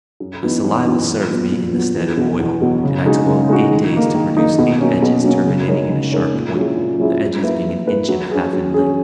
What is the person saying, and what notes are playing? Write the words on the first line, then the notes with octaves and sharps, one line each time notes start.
My saliva served me in the stead of oil, and I toiled eight days to produce eight edges terminating in a sharp point, the edges being an inch and a half in length.
F#2
E3 B3 D#4 F#4
F#2
E3 B3 D#4 F#4
A#2
F#3 B3
A#2
F#3 B3
E2
B2 F#3
E2
B2 F#3
C#3
G#3 D#4 F#4
C#3
G#3 D#4 F#4
D#3
A#3 D#4
D#3
A#3 D#4
B2
F#3 A#3 C#4
B2
F#3 A#3 C#4
C#3
G#3 D#4 A#4 C#5
C#3
G#3 D#4 A#4 C#5
A#2
F#3 C#4 E4 G#4
A#2
F#3 C#4 E4 G#4
F#3
A#3 E4 B4
F#3
A#3 E4 B4
F#3
C#4 G#4
F#3
C#4 G#4